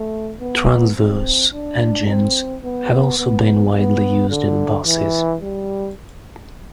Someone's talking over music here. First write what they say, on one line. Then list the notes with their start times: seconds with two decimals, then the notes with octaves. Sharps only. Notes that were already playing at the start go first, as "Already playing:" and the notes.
Transverse engines have also been widely used in buses.
Already playing: A3
0.40 B3
0.96 C4
1.52 D4
2.07 C4
2.63 B3
3.18 B3
3.75 B3
4.30 D3
4.86 E3
5.41 G3